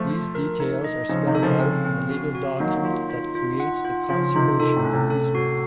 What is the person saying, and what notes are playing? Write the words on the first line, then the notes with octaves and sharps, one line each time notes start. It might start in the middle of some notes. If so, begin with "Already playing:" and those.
These details are spelled out in the legal document that creates the conservation easement.
Already playing: F3 A3
F4
A#4
D#4
D#5
C#3 F3 D#4
C3 D#3
A4
C#3 F3
C4
C4
F#4
F#4
D#3 F#3 A#3
F4
F4
F4
F#5
F4
C#3 F3 F4
C3 D#3 F4
C3 D#3 A4
A2 C3
C#4
A2 C3
A4
F#4